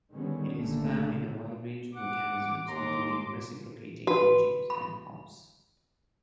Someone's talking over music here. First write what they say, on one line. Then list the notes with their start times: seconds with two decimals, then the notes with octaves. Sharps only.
It is found in a wide range of mechanisms, including reciprocating engines and pumps.
0.12 D3 D#3 G3 G#3 B3 C#4
0.54 G1 A#2 D3 A3 A#3
1.96 F#5 D6
2.68 D#2 A#5 C6 D6
4.07 F#4 B4
4.70 B5